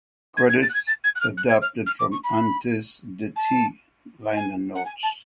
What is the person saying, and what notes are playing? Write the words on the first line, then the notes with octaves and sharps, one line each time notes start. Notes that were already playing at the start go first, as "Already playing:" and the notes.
Credits adapted from "Antes de Ti" liner notes.
G#6
G#6
A6
F#6
G#6
A6
G#6
F#6
F6
F#6
G#6
F6
F6
D6
C#6
B5
A5
G#5
F#5
G#5
A5